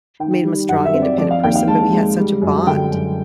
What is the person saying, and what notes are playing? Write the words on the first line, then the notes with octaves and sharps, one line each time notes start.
it made him a strong, independent person, but we had such a bond
D#3 G5
G3
F#2 F#5
E5
C4
D5
F3 D5
F5
D#2 G5
F5
G#3 A5
G#3
G3
F#2
D3 G5
F#2